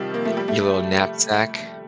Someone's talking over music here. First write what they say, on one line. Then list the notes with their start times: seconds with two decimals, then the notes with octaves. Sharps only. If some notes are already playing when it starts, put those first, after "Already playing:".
I your little knapsack.
Already playing: C3 D#3 F3 G3
0.14 A#3
0.25 A3
0.37 G3
0.48 A3